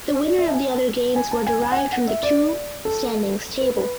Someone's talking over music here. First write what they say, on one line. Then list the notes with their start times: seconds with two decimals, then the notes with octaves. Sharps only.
The winner of the other games were derived from the two standings table.
0.08 C#5
0.23 D5
0.38 E5
0.48 A5
0.54 G#5
0.69 A5
1.16 G#5
1.31 A5
1.47 G#5
1.62 G#5
1.72 F#5
1.77 G#5
1.92 F#5
2.08 E5
2.23 D5
2.85 A4
3.61 B4
3.77 B4